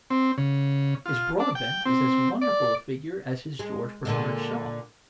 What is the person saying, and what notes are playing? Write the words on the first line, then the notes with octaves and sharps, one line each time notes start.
His Broadbent is as wonderful a figure as his George Bernard Shaw.
C4
C#3
F4
D4
G5
C4
D5
G#3
A#2 D3 G#3